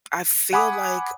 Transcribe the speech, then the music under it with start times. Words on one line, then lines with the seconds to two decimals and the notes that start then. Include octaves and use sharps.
I feel like
0.53 F#5 G#5 B5 D6 D#6